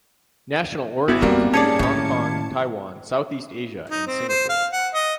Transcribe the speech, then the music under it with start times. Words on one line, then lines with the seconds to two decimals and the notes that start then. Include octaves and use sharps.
National origins include Hong Kong, Taiwan, Southeast Asia, and Singapore.
1.08 G1 B3 E4 F#4
1.22 C2 G2 G3 A#3 C4 A#4
1.53 C#4 G#4 D5 A5 G#6 C#7
1.79 A2 D#3 C#4
3.90 D#4
4.07 C4
4.29 C5
4.49 F5
4.73 F#5
4.94 D#5